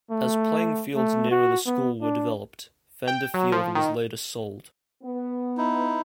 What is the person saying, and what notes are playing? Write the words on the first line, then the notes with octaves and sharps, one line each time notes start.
As playing fields nearer the school were developed, Fender Field was later sold.
A3
A3
F#4
B3
D4
G5
F#3
F3
D#3
B3
D#4 E4